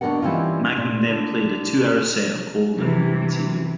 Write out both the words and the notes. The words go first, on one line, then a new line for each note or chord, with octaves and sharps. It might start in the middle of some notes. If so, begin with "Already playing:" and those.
Magnum then played a two-hour set of old and new material.
D#2 B2 G#3 D4 A#4 F#5
E3 G3 C4 C#4 D#4 F4
A#2
D3
C3 E3